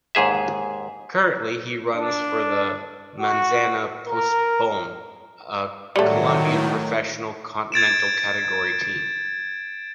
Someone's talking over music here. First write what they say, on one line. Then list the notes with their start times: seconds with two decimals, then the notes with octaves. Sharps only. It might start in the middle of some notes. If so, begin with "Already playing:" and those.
Currently, he runs for the Manzana Postobón, a Colombian Professional Continental category team.
0.15 D#2 G#2 G#4 E5
1.95 D4
3.19 F#4
4.07 A#4
5.96 A2 D#3 F#3 G3 A3
7.72 G#6 A6 D7 E7